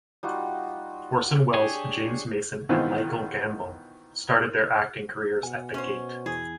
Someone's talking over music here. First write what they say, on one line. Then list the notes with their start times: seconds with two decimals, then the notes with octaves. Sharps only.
Orson Welles, James Mason and Michael Gambon started their acting careers at The Gate.
0.23 G3 D#4 F4 F#4
1.54 D4 G4 G#4 C#5 G#5
2.69 B2 D#3 E3 B3 C4 F4
5.43 B2 F#5 G#5
5.74 C#4 C5
6.26 E2 E4 G#4